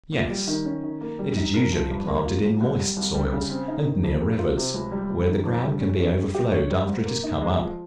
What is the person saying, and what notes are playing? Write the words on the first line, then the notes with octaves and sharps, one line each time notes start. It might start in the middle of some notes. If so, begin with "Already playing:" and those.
Yes, it is usually planted in moist soils, and near rivers, where the ground can be overflowed after it is come up.
A#2
G3
D#3
C#4
D#3
A#3
G3
D#4
A#4
F3
G2
A#3
F4
A#2
C2
G3
C2
G3
C#3
C4
D#4
D#3
F2
A#3
F4
C3
C#2
G3
C#2
D#3
F2
G3
C#4
C#4
G3
G4
C#5
G3
G#2
A#3
D#4
G#3
F3